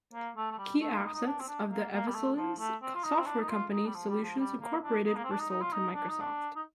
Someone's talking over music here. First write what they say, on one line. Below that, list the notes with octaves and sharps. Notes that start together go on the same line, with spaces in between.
Key assets of the Evslins' software company, Solutions, Incorporated were sold to Microsoft.
A#3
A3
A3
G3
A3
A#3
D#4
D#4
D4
C4
D4
A#3
A#3
G3
A3
F3
A3
C4
F4
D#4
C4
D4
D#4
F4
D#4
G3
F3
G3
F3
G3
A#3
D4
D#4
A#3
C4
D4
D#4
D#4
F4
D#4
D4
D#4
D4
D#4